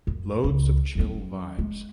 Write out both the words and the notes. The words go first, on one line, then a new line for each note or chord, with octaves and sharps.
Loads of chill vibes.
F#2
C#2
F#3 C#4
G#3